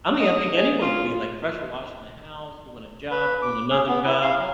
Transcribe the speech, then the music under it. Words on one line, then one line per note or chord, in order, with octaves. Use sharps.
I mean I think anyone will be like, pressure washing the house, doing a job, doing another job.
D#5
G#4
F4
B4
D6
G#4
B3
E4
F5
F#3